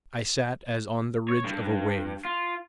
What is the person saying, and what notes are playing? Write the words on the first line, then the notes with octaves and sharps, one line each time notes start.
I sat as on the ridge of a wave.
C#5
G2
F4